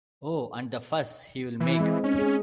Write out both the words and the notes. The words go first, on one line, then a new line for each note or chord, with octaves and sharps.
Oh, and the fuss he’ll make!
E3
G#3 C4 D#5
C#4 D#4
G#4